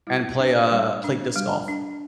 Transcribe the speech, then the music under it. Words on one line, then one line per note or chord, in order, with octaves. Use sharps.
and play, uh play disc golf.
G3 E4
D4
G3
D4
G3
D4